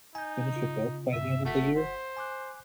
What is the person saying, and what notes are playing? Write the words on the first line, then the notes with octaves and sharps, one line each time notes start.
finish a book by the end of the year
D#4 G#5 G6
C#3 F4
G2 C#3 E5
G1 A3 F#5 B6
C5
G#5 D6 F#6